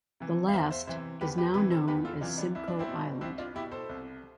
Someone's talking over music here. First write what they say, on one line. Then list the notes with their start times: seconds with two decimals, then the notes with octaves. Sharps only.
The last is now known as Simcoe Island.
0.20 C3 E3
0.48 F5
0.53 E2 C5 E5
0.71 C5 E5
0.87 C3 E3 C5 E5
1.21 E2 G4 B4
1.38 G4 B4
1.54 C3 E3 G4 B4
1.71 A4 C5
1.88 E2 G4 B4
2.05 F4 A4
2.21 C3 E3 D4 F4
2.38 B3 D4
2.55 C2 E4
2.68 D4
2.79 C4 E4
2.88 B2
3.21 C2 C4 E4
3.38 D4 F4
3.55 B2 E4 G4
3.71 A4 C5
3.89 C2